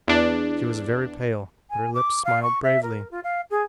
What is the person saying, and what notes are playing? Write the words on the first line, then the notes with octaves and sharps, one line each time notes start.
She was very pale but her lips smiled bravely.
E2 D4
G#5
D6
F5
C#6
E5
A#4
F4
F5
G#4